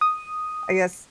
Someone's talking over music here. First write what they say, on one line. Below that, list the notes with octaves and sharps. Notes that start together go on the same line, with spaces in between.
I guess
D#6